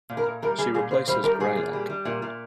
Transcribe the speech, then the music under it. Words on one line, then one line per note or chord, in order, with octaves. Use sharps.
She replaces Greylek.
A#2
A#4
A#2
G3 A#4
G3 G#4
A#2 G#4
A#2 C5
G3 C5
G3 A#4
A#2 G#4
A#2
G3
G3
A#2
A#2